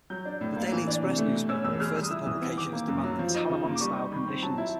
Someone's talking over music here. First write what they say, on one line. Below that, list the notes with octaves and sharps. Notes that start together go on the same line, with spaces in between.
The "Daily Express" newspaper referred to the publication as demanding "Taleban-style" conditions.
F#3 G6
D4
A2
A#3
E3
D4
C3
A3
B2
C#4 E6
E2 E6
G#3 F6
G3 E6
D#6
E4 E6
E3 D#6
B3
D#3 D6
A#3
F#2
F#3
F3
D#4
C#3
A#3
D6
G3 C#6
D#4
D#3 B5
C4
F#3 A5
E4